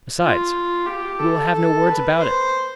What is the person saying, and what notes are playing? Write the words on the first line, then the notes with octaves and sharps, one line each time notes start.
Besides, we will have no words about it.
F4
G4
A4
A4
B4
C5